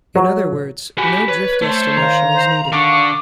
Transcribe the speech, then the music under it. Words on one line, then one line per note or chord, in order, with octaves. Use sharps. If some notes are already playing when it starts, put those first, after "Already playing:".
In other words, no drift estimation is needed.
F#3
F#4 G4 G#5 B5
B4 C#5
A3 C5
D#3 F5 A#5
C5
D3 C#6 D6